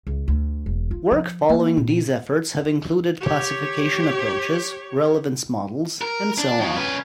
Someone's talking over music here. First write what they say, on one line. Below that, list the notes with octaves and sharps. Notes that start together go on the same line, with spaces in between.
Work following these efforts have included classification approaches, relevance models and so on.
C#2
D2
E1
F4
F3
A#3
A#2
G4 C#5
A#4
D4
F3 F#3
C#4 B4